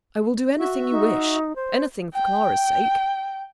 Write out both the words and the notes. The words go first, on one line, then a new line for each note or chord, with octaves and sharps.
"I will do anything you wish--anything for Clara's sake!"
F#4 E5
D#4
C5
G5